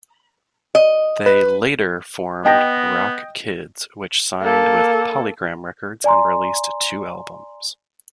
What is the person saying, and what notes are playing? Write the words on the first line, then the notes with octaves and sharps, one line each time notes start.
They later formed Rock Kids which signed with Polygram Records and released two albums.
D#5
B4
B3 D#5 G5 A#6
A#3 A4
D5 G#5 A#5 C6